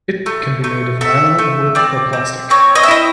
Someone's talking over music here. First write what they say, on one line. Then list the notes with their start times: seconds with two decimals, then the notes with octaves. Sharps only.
It can be made of nylon, wood, or plastic.
0.26 A3
0.64 A3
1.01 A3 E5
1.39 A3
1.75 C4 D5
2.13 C4
2.50 C4 C#5
2.75 D#5
2.83 E5
2.88 E4 D#5